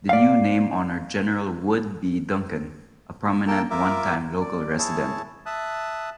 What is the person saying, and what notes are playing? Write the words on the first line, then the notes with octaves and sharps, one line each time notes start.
The new name honored General Wood B. Duncan, a prominent onetime local resident.
D5 F5
A#3 A4 A#4 G5 A5
F4 A#4 E5 D6
D5
E4 G#4 C#5 A5
E5 A5 D#6 F#6